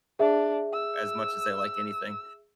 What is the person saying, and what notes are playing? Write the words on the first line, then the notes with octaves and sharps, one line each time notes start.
as much as they like anything.
D4 G#4 E5
E6